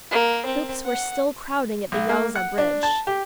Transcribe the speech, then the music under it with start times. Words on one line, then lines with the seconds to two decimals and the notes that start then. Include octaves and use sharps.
Troops were still crowding at the Yauza bridge.
0.11 A#3
0.46 C4
0.85 F#5
1.92 B1
2.09 A#3
2.36 F#5
2.58 D4
2.83 A5
3.07 G4